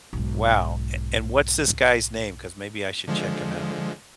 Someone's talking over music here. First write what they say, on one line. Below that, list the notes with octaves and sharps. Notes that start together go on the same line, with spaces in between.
Wow, a and, what's this guy's name? 'Cause maybe I should check him out.
B1 G#2
D3 F3 G#3